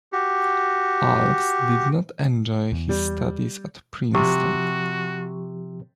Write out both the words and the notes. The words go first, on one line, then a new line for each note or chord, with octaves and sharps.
Alves did not enjoy his studies at Princeton.
F#4 G4
E2
G3
C3 F3 F#4 G4 C#6